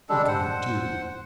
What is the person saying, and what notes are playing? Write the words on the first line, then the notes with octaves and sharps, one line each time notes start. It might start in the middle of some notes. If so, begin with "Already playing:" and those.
'What can I do?
G3 G#3 D4 A4
C5 F#5